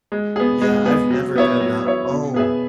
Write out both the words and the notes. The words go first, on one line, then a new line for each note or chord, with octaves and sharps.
Yeah, I've never done that o Oh,
G#3
B3 G#4
G#3
B3 G#4
F#3
B3 E4 C#5
F#3
B3 E4 C#5
B2
B3 G#4 B4 E5